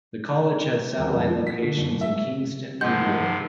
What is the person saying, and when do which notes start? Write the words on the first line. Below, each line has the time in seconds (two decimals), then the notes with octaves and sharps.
The college has satellite locations in Kingston, New York.
0.97 D#1
1.16 F2
1.28 F3
1.47 B6
1.63 D3
1.77 F#1
2.01 E5
2.81 G2 C3 D#3 F3 G#3 A#4 F#5 G6